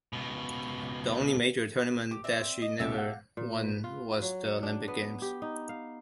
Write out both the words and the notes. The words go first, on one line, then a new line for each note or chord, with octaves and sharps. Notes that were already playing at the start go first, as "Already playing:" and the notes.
The only major tournament that she never won was the Olympic Games.
C#2 B2
G4 D6
C4 D5 E5
D#5
C#2 B2 G4 A4 E5
F5 F#5
A#2
B4
F4
F#3
F#5
D4
B3
G4
D#4
F5